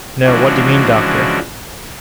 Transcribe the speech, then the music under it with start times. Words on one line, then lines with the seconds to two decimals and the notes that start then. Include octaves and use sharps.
"No! what do you mean, doctor?"
0.25 C#3 E3 F3 G#3 D4 F#4